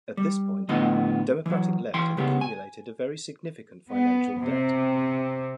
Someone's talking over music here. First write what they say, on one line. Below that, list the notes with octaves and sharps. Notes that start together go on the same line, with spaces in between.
At this point, Democratic Left had accumulated a very significant financial debt.
G3
D2 A2 D3 F3 B3 D#5
E3 F#3
E3 G5 C6
C#3 G#3 B3 G4
G#5
B3
C3